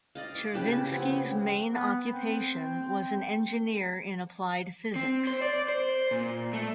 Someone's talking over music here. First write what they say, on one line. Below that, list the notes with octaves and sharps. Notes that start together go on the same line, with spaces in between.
Chervinsky’s main occupation was an engineer in applied physics.
D5 D#5 F5
D6
C#3 G4 B4 A5
C#3 F3 B3 C4
B3
C4
C4
C5
D5
C5
A#2
A3